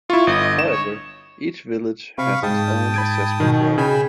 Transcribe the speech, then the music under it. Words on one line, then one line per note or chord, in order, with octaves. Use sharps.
However, each village has its own assessment roll.
E4 F4 C#6
G1 D#5
E7
C#5
C3 F5 B5 C#6
G#2 G5 A5 D#6
B5 G#6 D7
B2 D#3
C#3 G5 G#5 B5